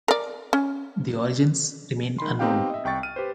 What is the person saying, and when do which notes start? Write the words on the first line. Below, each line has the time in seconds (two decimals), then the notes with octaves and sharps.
The origins remain unknown.
0.08 A#4 D5
0.53 C#4
2.18 D#3 B5 C6
2.39 B3 C4 D#4 G4 F5 G5
2.70 D#5 E5
2.85 C2 G5 C#6 A6
3.03 F6 D#7
3.16 G4 B4 C5